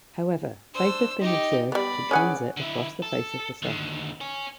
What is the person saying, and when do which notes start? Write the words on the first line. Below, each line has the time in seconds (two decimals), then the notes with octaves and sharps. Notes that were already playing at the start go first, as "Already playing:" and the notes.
However, both have been observed to transit across the face of the Sun.
0.74 D4 C5 E6
1.21 D#4 G4 D#5
1.72 G3 B3 D5 B5
2.11 C#4 G#4 A#4 B4 F#5 G#5
2.57 D3 E4
3.02 A4
3.62 D#2 D3
4.21 C#5 G#5